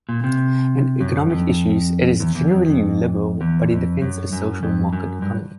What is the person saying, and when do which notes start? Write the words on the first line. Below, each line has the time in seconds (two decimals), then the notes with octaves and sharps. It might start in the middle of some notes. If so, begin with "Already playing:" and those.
In economic issues, it is generally liberal, but it defends a social market economy.
0.09 A#2
0.24 C3
1.00 F#2
1.30 F2
2.20 E2
2.35 E2
2.51 F2
2.66 F2
3.41 E2
3.71 F2
4.02 F#2
4.33 F#2
4.63 F2
4.93 F#2
5.22 G2